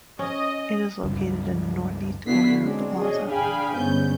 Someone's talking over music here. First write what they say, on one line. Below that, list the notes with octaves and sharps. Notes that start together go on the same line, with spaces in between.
It is located in the northeast corner of the Plaza.
C#4 D#5
C#2 G2
D3 B3 E4 F#4 B6 C7
F#3 G#3 C4 D4
D4 G#4 C#5 D#5
D4 G#4 F5 G5 G#5 B5
G1 G#2 B3 C#4 G6